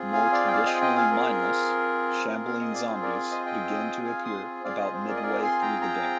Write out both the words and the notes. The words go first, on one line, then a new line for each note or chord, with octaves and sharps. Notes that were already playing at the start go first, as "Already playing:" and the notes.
More traditionally mindless, shambling zombies begin to appear about midway through the game.
Already playing: C4 F4 G#4
F5 G#5
D5 F5
G5
D5 F5
D#5 G5
D#5 G5
F5 G#5
A#4
C4 F4 G#4
F5
D#5
D5
C5
A#4 D5
C5 D#5
D#5 G5
F5 G#5
C6 D#6
C4 F4 G#4 D5 F5
C5 D#5
C5
A#4 D5
D#5
A#4 D5
G#5 C6
G5 A#5
G5 A#5